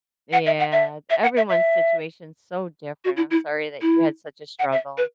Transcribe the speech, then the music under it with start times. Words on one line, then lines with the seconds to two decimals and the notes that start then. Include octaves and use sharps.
Yeah. Everyone's situation's so different, I'm sorry that you had such a struggle.
0.33 F#5
0.46 E5
0.59 F#5
0.72 E5
1.10 E5
1.23 F#5
1.37 E5
1.49 E5
3.05 F#4
3.17 E4
3.31 E4
3.82 E4
4.59 F#5
4.72 E5
4.98 B4